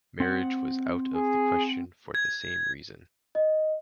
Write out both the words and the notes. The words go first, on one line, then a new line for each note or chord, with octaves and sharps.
Marriage was out of the question for the same reason.
C4 F#5
G#4
G#6
D#5